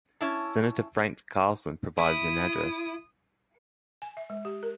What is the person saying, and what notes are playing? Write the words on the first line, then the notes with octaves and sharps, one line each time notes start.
Senator Frank Carlson providing an address.
C#4 E4 A5
E4 D#6
G#5
E5
G#3
G4
A#4